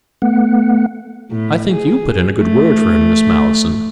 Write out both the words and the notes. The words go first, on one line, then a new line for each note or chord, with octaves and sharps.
"I think you put in a good word for him, Miss Malleson."
A3 B3 F#5
A2
G#4
A3